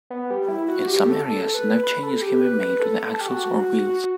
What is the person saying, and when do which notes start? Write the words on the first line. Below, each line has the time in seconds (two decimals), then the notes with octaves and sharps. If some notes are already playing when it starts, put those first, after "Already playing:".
In some areas, no changes can be made to the axles or wheels.
0.10 B3
0.30 G3
0.48 E4
0.68 F#4
0.87 G4
1.06 A4
1.25 A4
1.54 B4
1.83 B4
2.03 A4
2.22 G4
2.41 B4
2.61 B4
2.80 A4
3.14 A4
3.21 G4
3.28 F#4